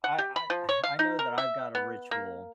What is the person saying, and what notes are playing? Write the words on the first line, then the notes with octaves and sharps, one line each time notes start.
I I I know that I've got a ritual,
F#5
G4
B5
F3
C#5
F5
D#4
A#4
E5
B3
A#3